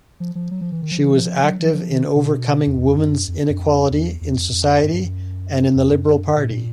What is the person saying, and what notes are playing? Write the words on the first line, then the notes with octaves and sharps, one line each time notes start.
She was active in overcoming women's inequality in society and in the Liberal party.
F3
F3
F#3
F3
E3
D#3
F3
E3
F3
F#3
F3
F3
D#3
C3
B2
F2
E2
F2
F#2
F2
F#2
F2
E2
E2
F2
F2
G2
G2
F#2
F2
F#2
A#2
A2
A#2